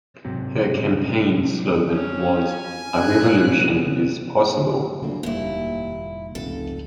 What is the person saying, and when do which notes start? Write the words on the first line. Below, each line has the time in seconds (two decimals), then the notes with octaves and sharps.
Her campaign slogan was "a revolution is possible".
0.25 G#2 C3 F#3
1.92 C#4
2.47 G#5
2.97 F#6
3.58 C3 B3 C#4
5.02 D2 C#3 F#3 A#3
5.23 F1 D#2 A#2 G3 E4
6.35 F1 C#2 G#2 A4